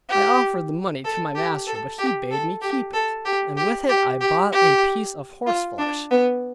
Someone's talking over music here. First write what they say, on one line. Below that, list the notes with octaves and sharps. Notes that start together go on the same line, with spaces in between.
I offered the money to my master, but he bade me keep it; and with it I bought a piece of horse flesh.
G4
A4
G4
A4
G4
A4
G4
A4
G4
G4
G4
G4
G4
F4
D4
B3